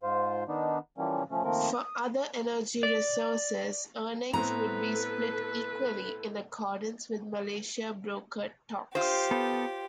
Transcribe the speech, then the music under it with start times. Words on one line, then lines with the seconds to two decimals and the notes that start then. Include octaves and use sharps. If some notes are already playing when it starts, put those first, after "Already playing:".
For other energy resources, earnings would be split equally in accordance with Malaysia-brokered talks.
0.03 G#2 F4 C5
0.48 D#3 B3 D4 D#4
0.98 E3 F3 G3 A#3 C#4
1.31 F3 A3 C#4
1.44 D#3 F3 A3 A#3 C4 A#4
1.74 D#6
2.83 D5
4.33 A2 B3 C4 A4 B4 A#5
8.95 F4 G4 C5
9.31 B3 A4